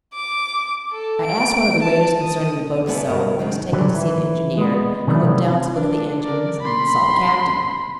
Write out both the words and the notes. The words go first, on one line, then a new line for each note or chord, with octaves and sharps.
I asked one of the waiters concerning the boat itself, and was taken to see the engineer, and went down to look at the engines, and saw the captain.
D6
A4
D7
A5
D#6
B2 D3 A3 B3 C#4 D4
D2 G2 C#3 A#4
D#3 F#3 G#3 C4 C#4
D3 F#3 G3
E3
G#3 B3
C3 D#3 F#3 G3 A3 B3
D4
A#4 D5
B5 C6